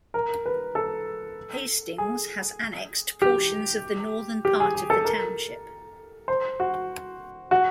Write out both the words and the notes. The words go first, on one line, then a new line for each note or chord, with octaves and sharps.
Hastings has annexed portions of the northern part of the township.
A#4
B4
A4
G#4
G4
G4
G#4
G#4
A4
A#4
C5
F#4
F#4